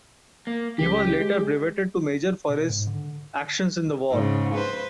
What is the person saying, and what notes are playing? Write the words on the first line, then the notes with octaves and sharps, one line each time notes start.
He was later breveted to major for his actions in the war.
A#3
C#2 G4
G#3
B2
G#2
D3
G#2 C#3
B4 C5